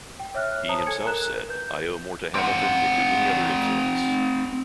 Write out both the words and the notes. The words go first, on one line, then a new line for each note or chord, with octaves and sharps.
He himself said I owe more to Hamilton than to any other influence.
G5
C#5 E5 F6 F#6
C5 C#5 A5 A#5 D#6
A4 G#5 G#6 C#7
A#4 A#5 F#6 E7
B4 G6
C4 F#5